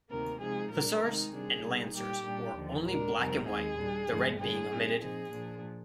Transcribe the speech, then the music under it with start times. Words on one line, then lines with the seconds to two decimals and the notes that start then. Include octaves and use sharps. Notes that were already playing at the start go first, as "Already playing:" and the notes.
Hussars and lancers wore only black and white, the red being omitted.
0.09 D2 C3 D#3 A#3 A#4
0.40 C3 F3 G#3 D#4 G#4
0.70 A#2 G3 D4 A#4
1.02 C3 D#3 G#3 D#4
1.32 C3 G3 D4 G#4
1.63 C3 G3 C4 D#4
1.94 A#2 G3 A#3 G4
2.24 A#2 G3 D4
2.56 D#2 D3 F3
2.86 A#2 G#3 D4 A#4
3.16 F2 C3 G3 C4 D#4
3.47 D#2 D#3 G#3 G#4
3.78 A#2 G3 D4
4.09 G2 D3 F3 G#3 D4
4.40 D3 G3 A#3 D4 G#4
4.70 A#2 G3 C4 D#4
5.01 A#2 F3 C4 D#4 G#4
5.32 A#2 F3 A#3 D4